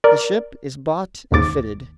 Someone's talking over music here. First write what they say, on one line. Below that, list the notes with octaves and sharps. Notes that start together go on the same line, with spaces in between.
The ship is bought and fitted.
A#4 D5
G#1 D#2 G#2 D6 A6